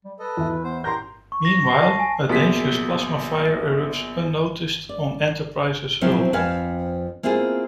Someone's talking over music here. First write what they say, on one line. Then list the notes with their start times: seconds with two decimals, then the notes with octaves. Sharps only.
Meanwhile, a dangerous plasma fire erupts unnoticed on "Enterprise"s hull.
0.05 G3
0.19 A4 B4 D#5
0.37 E2 E5
0.64 B3 C5
0.84 A2 G4 A#4 A#5 C6 G6
1.32 C#6
1.45 A#6
1.70 C7
1.82 A5
1.99 G#5
2.29 A#1 B2 F#3 G#4 B6
4.89 D5
6.01 F3 F#3 C4 E4
6.33 F2 C4 B4 F5 G#5
7.23 A#3 C4 E4 F4 G#4